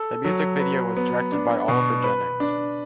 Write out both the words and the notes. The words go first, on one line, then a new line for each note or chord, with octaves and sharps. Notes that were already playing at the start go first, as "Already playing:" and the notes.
The music video was directed by Oliver Jennings.
Already playing: A4
F#3
B4
B3
D4
B2
B4
D4